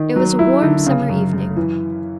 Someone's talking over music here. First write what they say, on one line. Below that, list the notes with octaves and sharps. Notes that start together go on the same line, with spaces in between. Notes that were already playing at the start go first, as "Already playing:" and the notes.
It was a warm, summer evening.
Already playing: D#3
F#3
E4
D3
C#3
F#2
F#2
E3